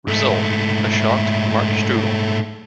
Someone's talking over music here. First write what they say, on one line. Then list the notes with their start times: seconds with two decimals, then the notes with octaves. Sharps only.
Result: a shocked Mark Strudal.
0.08 G#2 A3